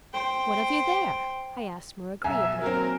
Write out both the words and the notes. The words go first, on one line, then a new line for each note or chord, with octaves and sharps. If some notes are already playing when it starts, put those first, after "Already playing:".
"What have you there?" I asked more agreeably.
C5 G5
B1 E5 G#5
F#3 A#3 C4 A#4